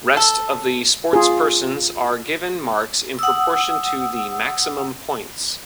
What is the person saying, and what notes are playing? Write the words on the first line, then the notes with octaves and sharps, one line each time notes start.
Rest of the sportspersons are given marks in proportion to the maximum points.
A4
F4 G#4
F#5 D#6 E6